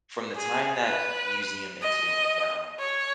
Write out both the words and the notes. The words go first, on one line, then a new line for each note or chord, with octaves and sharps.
from the time that museum incident went down,
G#4
B4
D#5
C#5